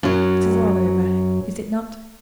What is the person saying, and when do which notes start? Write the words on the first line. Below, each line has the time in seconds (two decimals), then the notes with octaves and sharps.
It is all over, is it not?
0.03 F#2 F#3